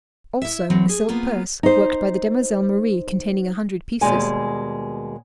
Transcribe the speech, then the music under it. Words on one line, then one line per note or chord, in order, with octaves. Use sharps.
Also a silk purse, worked by the demoiselle Marie, containing a hundred pieces.
E4 E5
E3 F#3 C4
G#4
A#3 B3 F4
D#4 C5
D#2 B2 G3 G#3 G#5